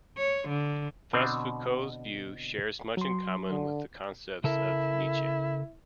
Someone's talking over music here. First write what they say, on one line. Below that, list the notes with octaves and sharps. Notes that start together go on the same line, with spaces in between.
Thus Foucault's view shares much in common with the concepts of Nietzsche.
C#5
D3
B2 D3 C4 D4
F#3 C6
D3
C#3 E4 A4 A#4